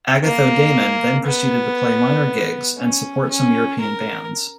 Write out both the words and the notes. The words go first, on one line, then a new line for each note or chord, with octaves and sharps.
"Agathodaimon" then proceeded to play minor gigs and support some European bands.
A#3
B3
C#4
C#4
A#4